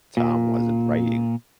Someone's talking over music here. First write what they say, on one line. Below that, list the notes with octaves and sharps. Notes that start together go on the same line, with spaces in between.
Tom wasn't writing.
A#2